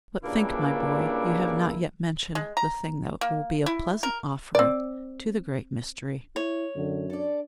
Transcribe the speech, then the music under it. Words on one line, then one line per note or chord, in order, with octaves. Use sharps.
"But think, my boy, you have not yet mentioned the thing that will be a pleasant offering to the Great Mystery."
G2 A#2 C#3 A#3 D4 E4
G#3
A#5
A#3
E4
A#4
C4 D5
E4 C#5
F#2 D3
D4 A4 D5